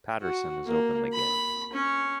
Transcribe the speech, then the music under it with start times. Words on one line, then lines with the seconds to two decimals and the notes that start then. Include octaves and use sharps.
Patterson is openly gay.
0.21 F#4
0.66 A#3
1.13 B5
1.73 C#4